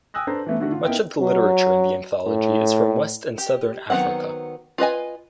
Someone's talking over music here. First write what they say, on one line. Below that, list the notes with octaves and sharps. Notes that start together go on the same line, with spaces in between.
Much of the literature in the anthology is from West and Southern Africa.
G5 G#5 D#6 E6 F#6 A#6
D4 A4 B4 C5 A5 A#5
E3 A3 B3
D3 D#3 A3 D4 F#4
F4
B3 D#4 E4 A#4 G5
F#3
A2
G4
D#3 F#3 B3 C4 F#5
F4 B4 D#5 G#5